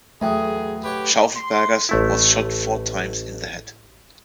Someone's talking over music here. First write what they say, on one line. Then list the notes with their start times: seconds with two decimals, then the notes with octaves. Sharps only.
Schaufelberger's was shot four times in the head.
0.21 E2 F#3 A3 G#4 E5 F#5 G5 D#6
0.84 G4 B4 C#5 F#5
1.37 C6
1.89 A1 A3 E4